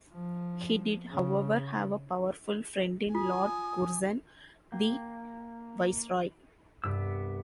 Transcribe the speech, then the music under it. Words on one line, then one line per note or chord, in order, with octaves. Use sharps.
He did, however, have a powerful friend in Lord Curzon the Viceroy.
F3
C#3
F4 G#5 D#6
A#3 G5
C2 G2 B3 G4 E6